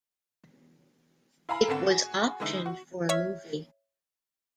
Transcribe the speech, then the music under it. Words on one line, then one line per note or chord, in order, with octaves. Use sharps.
It was optioned for a movie.
E4 F5 G#5 A#5 B5
G#1 D3 C4 A4 F#5 E7
F#4 G#4
D3 E3 G#3 D#4 E4
F#4
C#5 E5 F6 G#6 B6